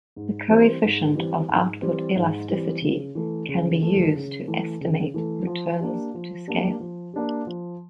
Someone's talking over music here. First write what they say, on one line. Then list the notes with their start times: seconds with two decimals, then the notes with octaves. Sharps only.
The coefficient of output elasticity can be used to estimate returns to scale.
0.16 G#2
0.49 E3 G3 C4
0.82 G#2
1.15 E3 G3 C4
1.49 G#2
1.82 E3 G3 C4
2.16 G#2
2.49 E3 G3 C4
2.82 C#3
3.15 E3 A3
3.49 C#3
3.81 E3 A3
4.15 C#3
4.47 E3 A3
4.81 C#3
5.14 E3 A3
5.47 F3
5.80 A#3 D4 G4
6.15 F3
6.48 A#3 D4 G4
6.80 F3
7.13 A#3 D4 G4
7.47 F3